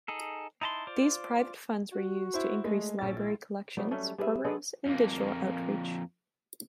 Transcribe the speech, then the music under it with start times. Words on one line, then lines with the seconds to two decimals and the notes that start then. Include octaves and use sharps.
These private funds were used to increase Library collections, programs, and digital outreach.
0.08 D#4 G#4 A4
0.61 D#4 E4 A5 A#5 C6
0.87 F4 C5 D5
1.91 F#4
2.34 E4 C5
2.64 E2 G#3 A3 G#4
2.99 A#1 C#4 A4 A6
3.17 E4 F4
3.77 F#3 G3 A3 B3
3.91 F#3 G3 A3 C#4 G4
4.18 G3 G#4 B4 D#5 E5
4.44 F#3 G#3 G#4 A4 B4 D#5
4.86 F2 A#3